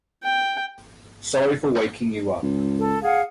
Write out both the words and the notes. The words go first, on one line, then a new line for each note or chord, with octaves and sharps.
Sorry for waking you up.
G5
C#2
A4
G#4 F5 F#5